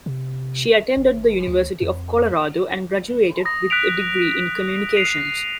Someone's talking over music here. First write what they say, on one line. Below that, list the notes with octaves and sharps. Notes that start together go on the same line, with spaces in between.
She attended the University of Colorado and graduated with a degree in Communications.
C3
G#1
D2
F2
D#6 A#6
F#6 B6 D7 F7
C7 D#7 F7